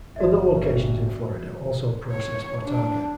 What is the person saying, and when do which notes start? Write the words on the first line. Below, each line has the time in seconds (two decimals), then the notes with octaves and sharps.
Other locations in Florida also process bottarga.
0.16 G1 F#4 D5 E5
2.11 C#5
2.65 D4